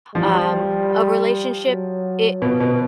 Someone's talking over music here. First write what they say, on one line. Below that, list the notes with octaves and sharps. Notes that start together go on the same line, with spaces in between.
um, a relationship, it
F3 G3
F#3
B2 F3
B2